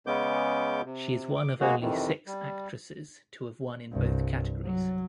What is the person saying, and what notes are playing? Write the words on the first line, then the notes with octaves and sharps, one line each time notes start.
She is one of only six actresses to have won in both categories.
C#3 G#3 B3 C#4 D6 G6
C3
D6
G#3 A#3 F#4 G#4
F2 C3 D#3 E3
G3
C2 G2
F#3